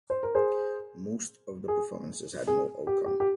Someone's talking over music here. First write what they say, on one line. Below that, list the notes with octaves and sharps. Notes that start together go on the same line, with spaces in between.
Most of the performances had no outcome.
C5
A#4
G#4 C5
G#4
G#4
G4
G4
G4